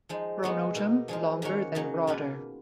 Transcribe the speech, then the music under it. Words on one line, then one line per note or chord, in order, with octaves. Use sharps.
Pronotum longer than broader.
F3 G#3 D#4
G#3 B3 D#4 F#4
B2 A#3 D#4
F3 G#3 D#4 A#4
D#3 A#3 C#4 F#4 A#4
C#3 F#3 A#3 D#4
B2 A#3 F4 B4